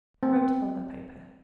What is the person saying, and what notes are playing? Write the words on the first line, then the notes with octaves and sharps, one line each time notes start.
"And wrote upon that paper."
C4